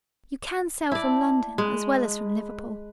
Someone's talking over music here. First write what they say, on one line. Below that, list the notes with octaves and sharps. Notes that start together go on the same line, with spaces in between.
You can sail from London as well as from Liverpool?'
E4 D5 A5
G#3 B4